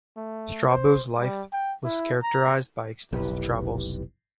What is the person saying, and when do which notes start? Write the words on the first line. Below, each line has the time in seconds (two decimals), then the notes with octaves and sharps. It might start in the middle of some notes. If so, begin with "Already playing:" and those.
Strabo's life was characterized by extensive travels.
0.17 A3
0.70 C5
1.19 G3
1.53 G5
1.84 E4
2.23 A#5
3.13 F1 B1 E4 G4 B4